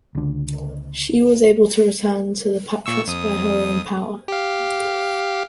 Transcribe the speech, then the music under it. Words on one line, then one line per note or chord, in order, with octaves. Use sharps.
She was able to return to Patras by her own power.
C#2 D3
A#2 C#6 E6
F2 D#6
G4 F5